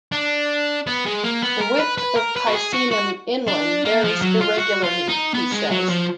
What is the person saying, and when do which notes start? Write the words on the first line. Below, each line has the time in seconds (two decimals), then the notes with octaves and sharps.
The width of Picenum inland varies irregularly, he says.
0.12 D4
0.87 B3
1.06 G#3
1.24 A#3
1.42 B3
1.61 A#4
1.80 B4
1.98 B4
2.16 A#4
2.36 B4
2.47 F#4
2.54 G#4
2.73 F#4
2.91 F#4
3.47 D4
3.85 A#3
4.04 F3
4.22 F#3
4.41 F4
4.59 F#4
4.84 F4
5.09 D#4
5.34 B3
5.52 G#3
5.71 F#3
5.89 F3